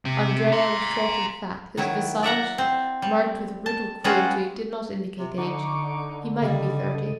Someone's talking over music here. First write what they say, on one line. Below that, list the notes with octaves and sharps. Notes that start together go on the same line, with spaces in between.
Andrea was short and fat; his visage, marked with brutal cruelty, did not indicate age; he might be thirty.
C3 C4
A#5 C6
D#3 F#3 E4
D5 E5 F#5 A#5
C4
G3
A5
G3 G#3 C#4 F4 F#4 B4
C3
D3 D#4 C#6 D6
C#3 G3 A4 D#5